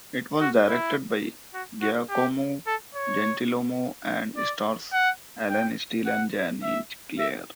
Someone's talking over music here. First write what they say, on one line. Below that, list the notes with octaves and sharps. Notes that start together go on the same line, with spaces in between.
It was directed by Giacomo Gentilomo and stars Alan Steel and Jany Clair.
F#4
E4
F#4
F#4
G4
A4
C#5
D5
F#5
G5
F#5
E5
E5